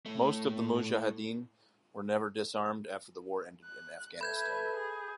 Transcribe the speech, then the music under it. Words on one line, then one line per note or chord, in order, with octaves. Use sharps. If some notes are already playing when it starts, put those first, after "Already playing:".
Most of the mujahideen were never disarmed after the war ended in Afghanistan.
A2 A3
F#6
A4 B4 E5 B5 G6 G#6
G#4